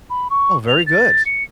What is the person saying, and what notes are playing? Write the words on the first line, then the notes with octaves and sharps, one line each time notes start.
Oh, very good.
B5
C#6
F7
A6
C#7